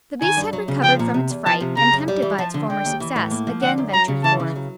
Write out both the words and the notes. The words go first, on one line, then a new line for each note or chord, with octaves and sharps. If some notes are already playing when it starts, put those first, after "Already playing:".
The beast had recovered from its fright, and, tempted by its former success, again ventured forth.
D#3 G#5
G2
F#3
C#3
F3 G5
A#2
C3
E2
F3 A5
C3
C#3 A#5
F#2
G3
E3
F3 A5
D3
D3 G5
D#2
E3
A2
A#3
F3
D3 F#5
F#2
F#3 A#5
C#3
E3 A5
C#3
F#3